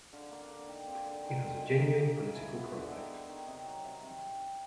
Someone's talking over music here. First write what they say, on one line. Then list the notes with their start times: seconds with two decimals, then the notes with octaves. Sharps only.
It was a genuine political conflict.
0.13 D3 F5
0.31 A#3 F#5
0.41 F5
0.50 D3
0.69 D#4 G5
0.87 C4
1.05 D3
1.13 G5
1.24 D#3 G#5
1.42 C4
1.61 D#3
1.80 D#4
1.99 A#3
2.17 C#3
2.35 E4 G#5
2.54 B3
2.63 F#5
2.73 D3
2.91 D#3 E5
3.09 B3
3.28 D#3
3.47 C3
3.65 F#3
3.84 C3
4.02 C3